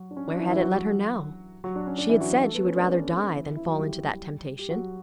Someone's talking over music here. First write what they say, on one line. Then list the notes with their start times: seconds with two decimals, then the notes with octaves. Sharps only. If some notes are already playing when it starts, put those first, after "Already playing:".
Where had it led her now? She had said she would rather die than fall into that temptation.
Already playing: F#3 F#4
0.11 D4
0.17 C#4
0.28 D4
0.39 E3 E4
0.51 E3 E4
0.62 F#3 F#4
1.64 F#3 F#4
1.76 D4
1.87 C#4
1.98 D4
2.09 E3 E4
2.21 F#3 F#4
2.43 A3 A4
2.54 B3 B4
2.66 C#4 C#5
2.78 D4 D5
2.88 C#4 C#5
3.00 B3 B4
3.11 B3 B4
3.34 E3 E4
3.56 E3 E4
3.68 F#3 F#4
3.79 G3 G4
4.59 G4
4.70 F#3 F#4